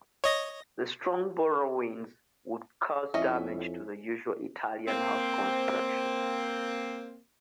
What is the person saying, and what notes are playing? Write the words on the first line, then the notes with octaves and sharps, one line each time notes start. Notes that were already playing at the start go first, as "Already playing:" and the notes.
The strong bora winds would cause damage to the usual Italian house construction.
C#5 D#5 A#6
F2 C#4 E4 D#5 E5
A#3 C4